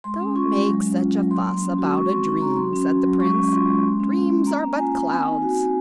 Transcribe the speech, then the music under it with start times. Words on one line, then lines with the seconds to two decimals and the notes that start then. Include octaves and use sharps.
'Don't make such a fuss about a dream,' said the prince; 'dreams are but clouds.
0.04 G#3 C6
0.20 C#4
0.36 F4 C#6
0.52 G#3
0.68 F#3
0.84 C#4
0.99 F4
1.15 F#3
1.31 F#3 C6
1.47 A#3
1.62 C#4
1.78 F#4
1.94 G#3 C#6
2.09 C4 C6
2.26 D#4
2.41 F#4 A#5
2.57 F#3 C6
2.73 C#4
2.89 F#4
3.04 F#3
3.20 G#3 C#6
3.36 C#4
3.52 F4 C6
3.68 G#3
3.83 A#3
4.00 C#4
4.15 F4
4.31 A#3
4.47 A#3 A#5
4.63 C#4
4.78 F4 G#5
4.95 A#3
5.10 C4 G#5
5.26 D#4
5.42 F#4
5.58 C4